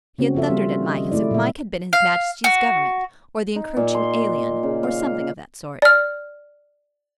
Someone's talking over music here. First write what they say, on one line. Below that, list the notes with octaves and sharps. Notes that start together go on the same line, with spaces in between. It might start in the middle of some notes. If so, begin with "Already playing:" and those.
He had thundered at Mike as if Mike had been his Majesty's Government or the Encroaching Alien, or something of that sort.
C#3 A#3 C4 C#4 F#4
C#3 F3 F4 A4 E5
G3
D#3 D#5
F#3 G#3 A3 E4 D5
A#2 E5
F5
F#4
D#4
A#2
C6
C#3
F5
D5 F6